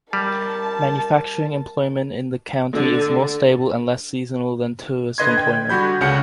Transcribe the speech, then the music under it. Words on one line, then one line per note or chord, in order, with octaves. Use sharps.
Manufacturing employment in the county is more stable and less seasonal than tourist employment.
G3 A#4 A5
D3
D3 B4 D#5 C6 G#6
G5
D3 G3 F#4 B5 G6
C#2 C#3 F#5 C#7